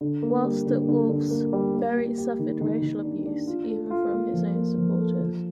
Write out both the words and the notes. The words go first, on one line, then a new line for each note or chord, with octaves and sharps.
Whilst at Wolves Berry suffered racial abuse even from his own supporters.
D3
A#3
G3
D3
D3
D3
A#3
G3
A#3
G4
G4
D#3
D#3
D#3
D4
D4
F4
A4
F4
A#3
F3
A#3
F3
A4
F3